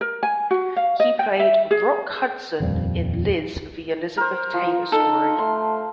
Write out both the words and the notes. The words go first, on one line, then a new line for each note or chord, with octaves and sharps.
He played Rock Hudson in "Liz: The Elizabeth Taylor Story".
A#4
G#5
F#4
F5
D#5
G5
E5
G#4
D#1 F2 F3 G3
A#4 C5
F3 F4
D#4 A4
A3 C6